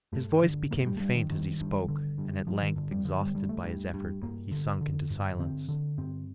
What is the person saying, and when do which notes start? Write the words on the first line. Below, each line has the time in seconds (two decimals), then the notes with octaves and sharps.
His voice became fainter as he spoke, and at length, exhausted by his effort, he sank into silence.
0.13 G2 A3
0.42 D3
0.71 G2 A#3
0.86 G3
0.97 A3
1.00 G2 G3
1.15 D#3
1.29 G2 D#3
1.60 G2
1.88 D3
2.18 G2
2.47 G2 F3
2.62 D#3
2.76 G2 D3
2.91 G3
3.05 D3 F3
3.21 G3
3.35 G2 G3
3.49 A3
3.63 G2
3.94 G2
4.22 G2 A#3
4.51 D3
4.81 D3
5.10 G2
5.39 D3 C4
5.69 D3
5.98 G2 C4